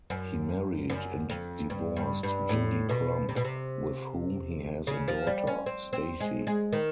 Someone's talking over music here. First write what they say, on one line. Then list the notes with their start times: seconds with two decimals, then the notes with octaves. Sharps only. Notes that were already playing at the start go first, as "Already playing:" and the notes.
He married and divorced Judy Crump, with whom he has a daughter Stacy.
0.10 F#2
0.90 F#2
1.30 F2
1.70 G2
1.97 G2
2.23 G2
2.49 A2
2.89 B2
3.29 C3
3.36 B2
3.44 C3
4.87 C#3
5.08 F3
5.27 G3
5.47 C#4
5.66 C4
5.93 C4
6.20 G#3
6.47 G#3
6.73 D#3